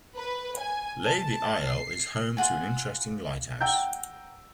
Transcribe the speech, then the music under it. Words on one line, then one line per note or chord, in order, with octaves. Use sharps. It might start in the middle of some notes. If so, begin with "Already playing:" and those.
Lady Isle is home to an interesting lighthouse.
B4
G#5
A5
C7
F4 G#4 F#5 G#5
F#5 G5 A#5 E6 G6